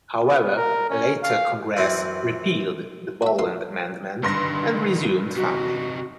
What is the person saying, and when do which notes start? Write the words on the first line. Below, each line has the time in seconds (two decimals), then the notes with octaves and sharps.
However, a later Congress repealed the Boland Amendment and resumed funding.
0.24 B3
0.56 A#4
0.90 C#4
1.23 F5
1.77 F#2 E3 C4
3.22 F#4 E5
3.39 A2 F4 C6
4.23 G2 D3 D#3 C6 A#6
5.36 C3 D#4 F#4